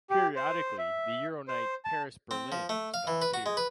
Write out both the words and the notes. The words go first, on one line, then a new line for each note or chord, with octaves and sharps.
Periodically the EuroNight Paris-Berlin stops here.
G4
C5
E5
C5
A5
C4
F3
A3
F5
E3
B4
F#4
G#3
B4